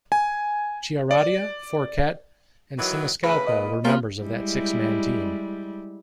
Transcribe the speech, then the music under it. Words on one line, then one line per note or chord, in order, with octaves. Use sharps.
Chiaradia, Forquet, and Siniscalco were members of that six-man team.
G#5
D5
D#3 E3 F#3
A2 C#3 B4
A#2 D#5
G3 A#3 C#4 F4 B5
G3 G#3 E4